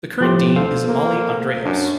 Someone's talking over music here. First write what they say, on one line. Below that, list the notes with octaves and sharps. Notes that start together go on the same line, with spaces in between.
The current dean is Amale Andraos.
A2 F3 G4 C6
D2 A4 C5 F5
A#3
F#2 D4